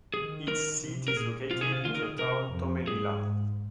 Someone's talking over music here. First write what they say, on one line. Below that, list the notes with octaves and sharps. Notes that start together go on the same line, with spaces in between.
Its seat is located in the town Tomelilla.
D#3 G#4
A#4
C3
A#4
A#2 G#4
C3 F4
G#4
F4
D#3 F4
A#4
G#4
C3 A#4
F2
G#2 G#4